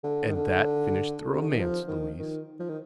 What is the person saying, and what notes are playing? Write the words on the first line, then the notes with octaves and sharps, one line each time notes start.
"And that finished the romance, Louise."
D3
D#3
D3
C3
D3
D#3
F3
D#3
D#3
F3
D#3